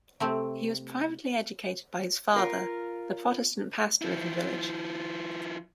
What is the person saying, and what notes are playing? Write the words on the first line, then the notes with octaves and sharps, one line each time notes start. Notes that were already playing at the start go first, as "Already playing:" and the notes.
He was privately educated by his father, the Protestant pastor of the village.
C3 A3 C4
F4 A#4 F5
F3 E4